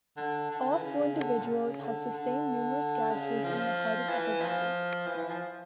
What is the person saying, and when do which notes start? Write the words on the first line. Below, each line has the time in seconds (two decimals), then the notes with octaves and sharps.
All four individuals had sustained numerous gashes in the head and upper body.
0.17 D3
0.50 D3
0.61 D3
0.72 E3
0.82 C#3
1.15 D3
1.39 A#2
1.48 C#3
1.80 D3
2.13 D3
3.11 C#3
3.44 F3
4.09 E3
4.41 F3
5.07 E3
5.18 E3
5.29 F3